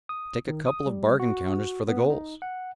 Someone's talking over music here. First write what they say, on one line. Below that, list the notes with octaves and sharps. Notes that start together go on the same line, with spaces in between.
Take a couple of bargain-counters for the goals.
D#6
D#3
D#6
G3
F#4
B3
D#4
F#5